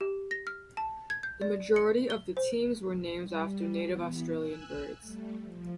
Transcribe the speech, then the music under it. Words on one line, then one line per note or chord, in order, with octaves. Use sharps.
The majority of the teams were named after native Australian birds.
G4
A#6
F6
A5
G#6
G6
D5
C#7
G7
C5
G3
E3 B3
G#5 E6 F#6
G3 A3
F3